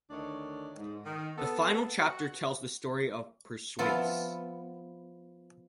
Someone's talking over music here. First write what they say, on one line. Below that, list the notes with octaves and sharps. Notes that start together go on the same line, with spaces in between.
The final chapter tells the story of Perseus.
D2 D#3 D4 C#5
G#2
D#3
B3 A4
F#4
F3 B3 E4 F4